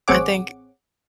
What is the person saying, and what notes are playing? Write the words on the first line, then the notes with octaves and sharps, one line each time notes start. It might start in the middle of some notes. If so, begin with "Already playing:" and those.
I think
A1 C4 G#4 C#5 F#5 D6